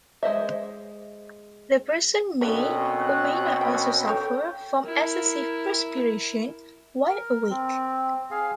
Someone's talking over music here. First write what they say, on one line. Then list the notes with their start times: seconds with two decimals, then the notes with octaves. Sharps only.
The person may or may not also suffer from excessive perspiration while awake.
0.23 G#3 C5 D#5 E5
2.41 B2 D3 A3 A#3 C4 C#4
3.01 F#6
3.61 A#4 G5
4.08 A4 C#5 G5
4.83 E4 A#4
7.09 A#4
7.50 C4
8.31 G#4 F5